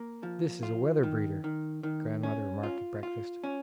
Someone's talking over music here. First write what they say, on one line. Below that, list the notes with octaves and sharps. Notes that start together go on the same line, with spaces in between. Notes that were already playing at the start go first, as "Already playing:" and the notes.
"This is a weather-breeder," grandmother remarked at breakfast.
Already playing: A#3
F3
F4
D#3
D#3
D#3
C#4
F4
F4
C#4